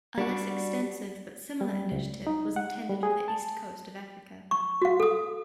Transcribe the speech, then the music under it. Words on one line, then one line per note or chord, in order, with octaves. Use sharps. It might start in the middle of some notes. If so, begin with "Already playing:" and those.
A less extensive but similar initiative was intended for the east coast of Africa.
G3 D4 F#4
G3
C#2
D#4
F#5
G3
G#4
A5
C#6
F#4 F5
A4 D#6